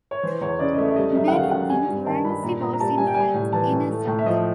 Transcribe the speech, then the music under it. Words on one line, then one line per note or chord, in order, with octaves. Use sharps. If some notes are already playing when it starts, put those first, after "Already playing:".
Many think Ranucci was in fact innocent.
C#5
E3 C5
E2 C#5
C#3 D5
D#5
A3 E5
E5
G3 D#5
F#2 E5
F#5
D#3 F5
F#2 F#5
G3 G#5
G2
D#3 A5
G2 B5
A#2 A#5
A#2 A#5
A#5
G3 A5
G3 G#5
G5
G3 G#5
A2
E3 A5
A2
A3
A2
E5
F3 D#5
D#5